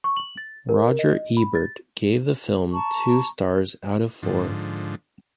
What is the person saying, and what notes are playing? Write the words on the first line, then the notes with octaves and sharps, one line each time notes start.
Roger Ebert gave the film two stars out of four.
C#6
F#7
A6
A#4
D#5
B5
A6
A5 A#5 C#6
G#2 D3 F3